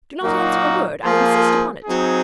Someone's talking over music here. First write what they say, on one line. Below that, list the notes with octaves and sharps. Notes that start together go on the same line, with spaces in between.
Do not answer a word; I insist upon it.
A#2 F#3 A#3 D#4 F#4
F3 A#3 F4 G#4 C5
F#3 C4 D#4 G#4